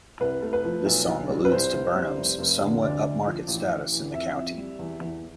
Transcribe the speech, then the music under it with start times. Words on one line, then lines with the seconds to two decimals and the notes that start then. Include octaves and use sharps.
This song alludes to Burnham's somewhat upmarket status in the county.
0.20 C2 B4
0.42 A3
0.53 B4
0.65 F3
0.86 B1
1.09 B1
1.29 G3
1.45 B4
1.52 C2 C5
1.73 C2
1.96 G3
2.17 F1
2.39 F1
2.61 D3
2.82 D2 D5
3.05 D2
3.26 F3
3.48 A1
3.70 A1
3.92 E3
4.14 F2 E5
4.36 F2
4.57 G3
4.79 E2
5.01 E2